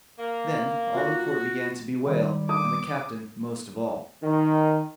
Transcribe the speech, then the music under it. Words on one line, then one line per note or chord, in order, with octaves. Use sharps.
Then all the court began to bewail, and the captain most of all.
A#3
F4 F#4
D#3 G3
D6 D#6
D#3